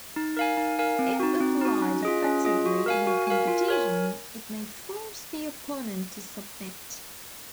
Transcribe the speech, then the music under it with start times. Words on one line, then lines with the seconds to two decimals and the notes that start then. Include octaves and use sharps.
If applied effectively in a competition it may force the opponent to submit.
0.16 D#4
0.37 A#4 F5 G#5
0.57 D#4
0.79 A#4 F5 G#5
0.99 C4
1.20 D#4 F#4
1.40 C4
1.61 D#4 F#4
1.82 C#4
2.03 F4 G#4 D#5
2.25 C#4
2.45 F4 G#4 D#5
2.66 F#4
2.86 A#4 F5 G#5
3.07 F#4
3.27 A#4 F5 G#5
3.48 F4
3.69 A#4 C#5 G#5